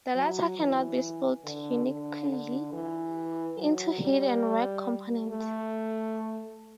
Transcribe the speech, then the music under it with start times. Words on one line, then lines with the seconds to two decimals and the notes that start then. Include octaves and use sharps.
The latter cannot be split uniquely into heat and work components.
0.15 F#3
0.59 E3
1.44 D3
1.86 D3
2.29 D3
2.73 E3
3.58 F#3
4.00 G3
5.28 A3